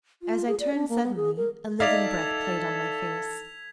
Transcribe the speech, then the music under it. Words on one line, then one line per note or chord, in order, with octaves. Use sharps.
As I turned suddenly, a living breath played on my face.
F4
G#4
D5
D4
A#3
B3
G#4
A#4
D#4 A4 D5 E5 F5 G#6 B6 F7